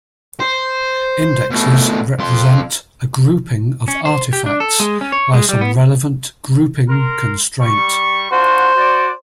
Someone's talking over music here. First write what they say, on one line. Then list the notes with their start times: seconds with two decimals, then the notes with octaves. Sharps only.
Indexes represent a grouping of artifacts by some relevant grouping constraint.
0.40 C5
1.51 B2 A3
2.19 F2 C6
3.88 C#4
4.05 C5
4.33 G4
4.46 D4
4.60 A4
4.80 G#3
5.01 C#4
5.12 C#5
5.34 G#3
5.49 G3
5.61 B3
6.89 A#4 C6
7.61 G3 C#6
8.32 D4 F4 F#4 C5
8.75 F#4 D5